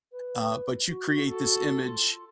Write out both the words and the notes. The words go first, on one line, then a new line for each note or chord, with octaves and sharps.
uh, but you create this image
B4
F#4
F#4 A4
F4